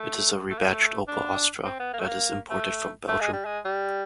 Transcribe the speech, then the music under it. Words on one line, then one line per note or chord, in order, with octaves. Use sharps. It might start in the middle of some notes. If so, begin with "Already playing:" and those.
It is a rebadged Opel Astra that is imported from Belgium.
Already playing: A3
A3
A#3
A3
D4
C4
B3
A#3
A3
A#3
A3
A3
G#3
G3
G#3
G3